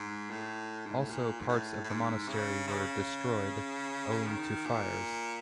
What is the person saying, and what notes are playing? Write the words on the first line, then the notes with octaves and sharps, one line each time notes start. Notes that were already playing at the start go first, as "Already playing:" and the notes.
Also parts of the monastery were destroyed owing to fires.
Already playing: G#2
A2
G#2
A2
A#2
G#2
A2
A2
G#2
C#3
C#3
D#3
A#2